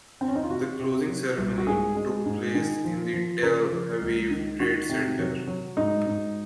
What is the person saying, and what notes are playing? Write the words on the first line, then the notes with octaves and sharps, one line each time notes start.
The closing ceremony took place in the Tel Aviv Trade Center.
C4
C#4
D#4
F4
C3 F#4
C3
F#3
C2
F#4
G#2 G#4
G#3
G#2
D#3
F3
F3
C#3 A#4
F3
C#2
D#3
D#3 F#4
C3
F#3
F#3
G#2 D#4
G#2